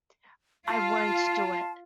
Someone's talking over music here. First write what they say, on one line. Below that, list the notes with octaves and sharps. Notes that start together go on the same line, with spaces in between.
I won't do it.
F4 A5